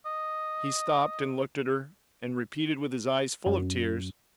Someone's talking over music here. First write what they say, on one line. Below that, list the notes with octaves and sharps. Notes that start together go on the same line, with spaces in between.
He stopped and looked at her, and repeated with his eyes full of tears.
D#5
F#2